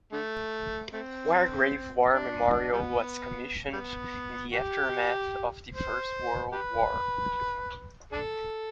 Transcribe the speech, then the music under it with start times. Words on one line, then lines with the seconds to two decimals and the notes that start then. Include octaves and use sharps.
Wargrave War Memorial was commissioned in the aftermath of the First World War.
0.12 D3 A3
0.93 A3 C4
2.13 D4
2.53 D4
2.72 G3 B3
3.73 G3 B3
4.52 G4
5.73 C5
6.53 G4 B4
8.13 D4 A4